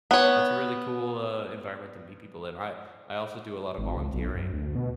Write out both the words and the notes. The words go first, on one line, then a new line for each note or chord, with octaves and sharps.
that's a really cool, uh, environment to meet people in, I I also do a lotta volunteering.
B3 C#5
G#1
C#2
B1
F#2
D2
B2